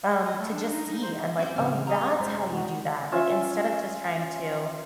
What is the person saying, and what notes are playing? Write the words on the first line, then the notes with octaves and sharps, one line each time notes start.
um, to just see and like, "Oh, that's how you do that." Like, instead of just trying to
D#5
A3
D4
D#4
D#4
C5
F#2 C4 F#4 D6 G6
A2 C#3 C4 F6
C4 G4 G#4 D#5 F5 A#5
F#2 C3 G#3 C5
F#4
C#4 F4 E5